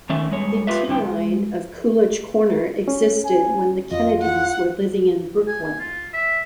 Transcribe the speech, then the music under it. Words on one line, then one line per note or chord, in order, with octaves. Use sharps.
The "T" line to Coolidge Corner existed when the Kennedys were living in Brookline.
D#3 A3 C#4 E5
G2 G#3 C#5
F4 G4 B4 E5
G2 D3 E4 G5
G#3
C#4
G#5
F2 F4 D#5
F#5
G#5
G#5
F4
E5